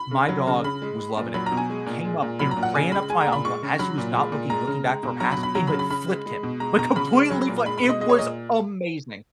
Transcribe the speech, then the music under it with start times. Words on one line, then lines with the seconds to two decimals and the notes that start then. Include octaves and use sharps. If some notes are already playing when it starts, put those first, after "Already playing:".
my dog was loving it, came up and ran up to my uncle as he was not looking, looking back for a pass and, like, flipped him, like, completely flat, it was amazing.
Already playing: B5
0.11 C#3
0.29 F#3
0.47 C#3
0.64 C#3 B5
0.82 G#3
0.99 G#3
1.17 A#2
1.34 F#3 B5
1.46 A#5
1.52 B2
1.57 G#5
1.70 G#3
1.86 A#2
2.04 G#3
2.22 A#2
2.39 F#3 B5
2.51 A#5
2.57 A#2
2.63 F#5
2.75 C#3 G#5
2.92 G#3 B5
3.10 G#3 G#5
3.21 A#5
3.27 A#2
3.33 B5
3.45 G#3 C#6
3.62 C#3
3.79 F#3 B5
3.98 A#2
4.15 G#3
4.32 A#2
4.50 G#3 A#5
4.67 C#3
4.85 G#3
5.03 B2
5.20 F#3 A#5
5.32 B5
5.37 B2
5.43 B5
5.55 F#3 A#5
5.67 B5
5.73 C#3
5.79 B5
5.90 C#3 B5
6.08 G#3
6.26 G#3
6.43 B2
6.60 G#3 A#5
6.78 B2 A#5
6.95 C#3 B5
7.13 G#3
7.30 F#3
7.48 A#2
7.65 G#3 B5
7.78 B5
7.83 B2
7.89 D#5
8.00 G#3 D#5
8.09 C#5
8.18 A#2 D#5